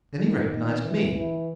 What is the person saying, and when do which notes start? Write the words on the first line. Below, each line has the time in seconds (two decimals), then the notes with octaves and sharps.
Then he recognised me.
0.18 D#3
0.82 E3
1.14 E3